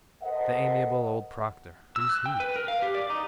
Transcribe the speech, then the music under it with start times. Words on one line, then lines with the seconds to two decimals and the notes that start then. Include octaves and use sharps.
"The amiable old Proctor"--who's he?
0.22 A4 A#4 C5 D#5 F#5
1.96 E6
2.09 F#6
2.26 G5
2.40 B4
2.56 A#4
2.68 F5
2.82 G4
2.95 D5
3.10 D#4